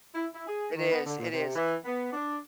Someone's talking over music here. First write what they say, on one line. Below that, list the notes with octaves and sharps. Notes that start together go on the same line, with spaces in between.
It is, it is
E4
E4
G#4
D#3
B3
D3
A#2
C3
E3
B3
D4